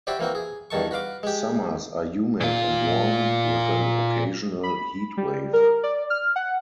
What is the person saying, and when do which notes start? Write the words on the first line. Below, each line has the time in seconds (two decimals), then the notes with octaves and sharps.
Summers are humid and warm, with an occasional heatwave.
0.07 E4 F#4 G4 C5 D5
0.19 E3 A#3 C4 F#4
0.35 G#4
0.71 E2 G2 D#3 A5 C#6
0.91 F#4 B4 F5 D6
1.23 G#3 G4
2.41 A#2 F4
4.63 B5
5.17 G3
5.53 A#4
5.83 D5
6.10 F6
6.36 F#5